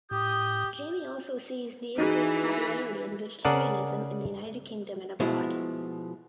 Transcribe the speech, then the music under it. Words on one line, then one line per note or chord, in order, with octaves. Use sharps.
Jamie also sees the increased popularity in vegetarianism in the United Kingdom and abroad.
A2 G4 D#6 G6
E3 D#4 F#4 G#4
C#3 G#4 A#4 D5 F#5 A5
B2 F3 G#3 E4